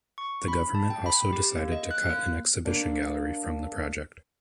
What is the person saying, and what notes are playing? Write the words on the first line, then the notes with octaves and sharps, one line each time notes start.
The government also decided to cut an exhibition gallery from the project.
C#6
B5
A5
G5
B5
G4
A#3
D#5
F#6
A#3
A#3 D4